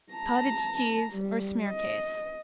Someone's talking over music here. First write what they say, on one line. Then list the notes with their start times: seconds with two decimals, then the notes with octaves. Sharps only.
Cottage Cheese or Smearcase.
0.13 A5 A#5
1.13 G3
1.68 D#5